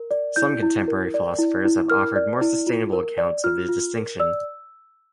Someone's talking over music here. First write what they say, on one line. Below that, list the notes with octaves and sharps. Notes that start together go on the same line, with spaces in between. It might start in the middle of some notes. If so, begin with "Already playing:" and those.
Some contemporary philosophers have offered more sustainable accounts of the distinction.
Already playing: A#4
D5
E4 G6
E4
A#4
D5
E4
E4
A#4 F6
D5
E4
F4
A#4
D5
F4 F6
F4
A#4
D5 E6